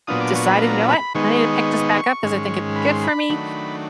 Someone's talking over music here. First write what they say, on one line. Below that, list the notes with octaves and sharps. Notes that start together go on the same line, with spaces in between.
decided, "You know what, I need to pick this back up 'cause I think it'd be good for me,"
A#2 F#3 B3 D4 F4 D#6
D6
C#6
B5
A#5
B5
D#3 G#3 B3 D#4 C#6
G#2 D#3 G#3 C#4
B5
C6
B5
D#3 F#3 A3 D4